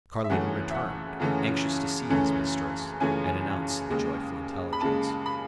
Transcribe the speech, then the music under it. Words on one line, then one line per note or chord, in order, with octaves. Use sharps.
Carlini returned, anxious to see his mistress, and announce the joyful intelligence.
E5
F#2 C#3 E3 A3 C#4 F#5
E5
F#5
F#2 C#3 E3 A3 C#4
F#2 C#3 E3 A3 C#4
F#2 C#3 E3 A3 C#4 G#5
D#2 C#3 G#3
B5
D#2 C#3 G#3 A5
B5